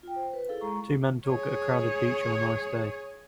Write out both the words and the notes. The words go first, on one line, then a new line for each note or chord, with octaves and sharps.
Two men talk at a crowded beach on a nice day.
F4 G5
C5
B4
E4 G#4 A4 F5
G#3 A#5 C#6
G#4 C#5